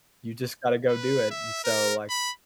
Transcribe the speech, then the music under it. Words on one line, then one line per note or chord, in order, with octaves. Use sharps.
you just gotta go do it, and so, like,
B4
E5
A#4
B5